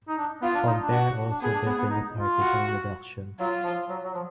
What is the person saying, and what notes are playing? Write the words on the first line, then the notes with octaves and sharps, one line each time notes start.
Compare also definite article reduction.
D#4
D4
B3 F4
D4
D#4
D4
F#4
D4
B3 G#4
D4
B3
B3
D#4
F4
F#4
F#3 F4
F3
F#3
F#3
F3